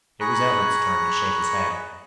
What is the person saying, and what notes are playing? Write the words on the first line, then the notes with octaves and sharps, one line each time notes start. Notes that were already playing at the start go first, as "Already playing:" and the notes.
It was Everts' turn to shake his head.
G#4 A#5 B5 C#6 F#6